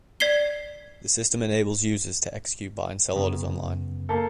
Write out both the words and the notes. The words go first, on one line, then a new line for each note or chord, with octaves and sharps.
The system enables users to execute buy and sell orders online.
D5 G#6 B6 C7 G7
F#2 C#3 B3
A#3 A4